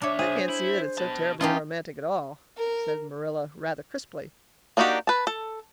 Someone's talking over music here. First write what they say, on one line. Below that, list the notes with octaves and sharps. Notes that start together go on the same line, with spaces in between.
"I can't see that it's so terribly romantic at all," said Marilla rather crisply.
B1 D4 C#5 E5 D6
G#4 C5
E4
B2 A5
E3 C#4 D#4 F4 G4 A5 C6
A#4
A#3 D4 D#4 F#4 G4
B4 A5
A4